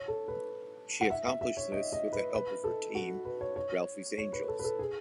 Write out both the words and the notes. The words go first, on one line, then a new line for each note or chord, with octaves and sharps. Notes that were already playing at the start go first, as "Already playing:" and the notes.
She accomplished this with the help of her team, "Ralphie's Angels".
Already playing: C#5
A4
B4
F#5
E5
E5
E5
C#5
D#5
D#5
B4
B4
A4
F#4
B4
C#5
C#5
C#5
B4
A4
B4
A4
G#4